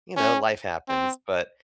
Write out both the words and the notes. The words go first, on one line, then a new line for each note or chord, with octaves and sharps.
you know, life happens, but
C#4
C4